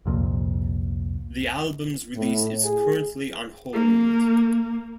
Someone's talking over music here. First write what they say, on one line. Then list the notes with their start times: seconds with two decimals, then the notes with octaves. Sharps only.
The album's release is currently on hold.
0.06 C2 F2 A#2
2.16 A2
2.64 G#4
3.73 A#3